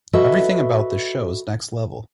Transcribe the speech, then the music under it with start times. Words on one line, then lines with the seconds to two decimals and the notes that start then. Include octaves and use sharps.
Everything about this show is next level.
0.13 F#4 A4 B4 D#5 E5